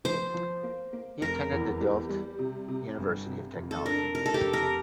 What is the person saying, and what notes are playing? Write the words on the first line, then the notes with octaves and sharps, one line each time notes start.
He attended the Delft University of Technology.
F3 C5
F3
A#3
A#3
F1 A#4
E2
G3
G3
C3
C3
G1
C3
F2
A4
D4 A#4
C3 A#4
A4
G4
F1
A#4